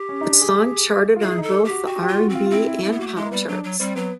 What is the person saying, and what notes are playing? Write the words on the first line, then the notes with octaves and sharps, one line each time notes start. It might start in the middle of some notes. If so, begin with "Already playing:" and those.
The song charted on both the R and B and pop charts.
Already playing: G4
C#4
D#4
D4
G#4
F4
E4 G#4
D#4 A4
G4
F#4
F#4 G4
G4
F4
F#4
C4
F4
F4
C4 E4
E4
C4 E4
B3
A#3 F#4
A3
G#3 E4
A#3
G3 B3
F#3 D4
F#3
G3 C4
F#3 B3